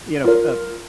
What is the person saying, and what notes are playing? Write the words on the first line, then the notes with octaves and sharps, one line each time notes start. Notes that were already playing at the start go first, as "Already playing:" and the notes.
you know, f uh
F4 A#4